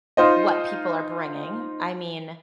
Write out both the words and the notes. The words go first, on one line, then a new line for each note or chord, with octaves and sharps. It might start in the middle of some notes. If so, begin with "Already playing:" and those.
what people are bringing. I mean,
D#4 F4 C5 D#5